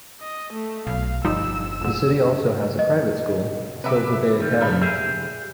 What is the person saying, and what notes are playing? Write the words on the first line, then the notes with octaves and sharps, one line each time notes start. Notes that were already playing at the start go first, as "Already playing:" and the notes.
The city also has a private school, Sylva-Bay Academy.
D#5
A3
B1 F5
G1 F3 G3 D#4 E6
F2 G#2
D#5
C3 B4 E5 D6
D#2 D#3 G3
G2 C#3 B5
G4 G#4 E5 F6